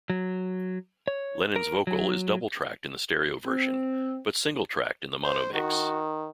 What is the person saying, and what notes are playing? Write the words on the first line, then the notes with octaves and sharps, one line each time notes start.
Lennon's vocal is double-tracked in the stereo version, but single-tracked in the mono mix.
F#3
C#5
A#4
F#3
C4
C5
D#3 F#4